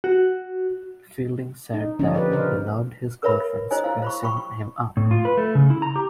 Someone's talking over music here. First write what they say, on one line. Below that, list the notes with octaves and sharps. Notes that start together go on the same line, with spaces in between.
Fielding said that he loved his girlfriends dressing him up.
F#4
D#4
D3 F3 A#3 C#4 D4 D#5
G4 B4 D5
A#2 C#3 D4 A#4 C5 D#5
A#4 B4 C#5 E5 B5
E4 C5 C#5 D#5 G#5
E4 C5 F5
C5 B5 C#6
G5 B5 C#6
C#6
A2
F4
B4
A3
C#3
E4
A#5
G4